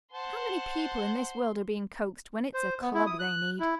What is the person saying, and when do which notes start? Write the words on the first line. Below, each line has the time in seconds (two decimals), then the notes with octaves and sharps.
How many people in this world are being coaxed when it's a club they need!
0.13 C5 F#5 A5 C6
2.53 C5
2.82 B3
2.94 E4
3.07 D#6
3.19 F#6
3.60 E4